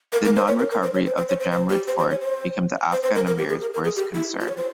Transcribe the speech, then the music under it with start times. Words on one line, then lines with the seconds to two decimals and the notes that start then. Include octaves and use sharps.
The non- recovery of the Jamrud Fort became the Afghan Amir's worst concern.
0.13 A#4
0.25 A#4
0.36 C5
0.48 C#5
0.59 A#4
0.71 A#4
0.82 C5
0.94 C#5
1.06 C5
1.17 C5
1.29 C#5
1.40 C5
1.52 C5
1.70 G4
1.88 C5
1.99 C5
2.11 C#5
2.21 C5
2.92 C5
3.03 C5
3.15 A#4
3.27 A#4
3.38 G4
3.49 G#4
3.61 A#4
3.74 A#4
3.84 G#4
3.96 G4
4.14 E4
4.40 F4
4.48 C#5
4.57 C5